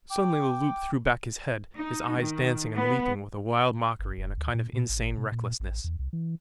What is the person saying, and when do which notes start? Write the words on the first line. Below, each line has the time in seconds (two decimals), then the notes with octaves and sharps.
Suddenly Le Loup threw back his head, his eyes dancing and leaping with a wild mockery and a kind of insane recklessness.
0.11 G5 D6
1.75 D#4
2.17 D#3
2.75 B3
3.99 G1
4.18 E1
4.37 D2
4.55 A#2
4.73 A#2
4.89 G#1
5.18 B2
5.32 A#2
5.60 A1
5.84 E2
5.99 C2
6.13 E3